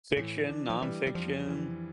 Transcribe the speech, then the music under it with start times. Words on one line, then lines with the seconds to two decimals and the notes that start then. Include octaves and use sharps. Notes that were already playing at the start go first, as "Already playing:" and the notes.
Fiction, nonfiction?
0.12 A#2
0.17 A2 E3
0.49 D4
0.70 F3
0.82 E3 G3
1.07 E3
1.15 F2 F3
1.47 E3